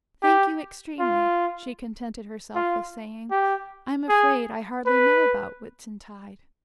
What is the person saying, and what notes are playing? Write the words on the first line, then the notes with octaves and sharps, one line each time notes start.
"Thank you extremely," she contented herself with saying; "I'm afraid I hardly know about Whitsuntide."
G4
F4
F4
G4
G#4
B4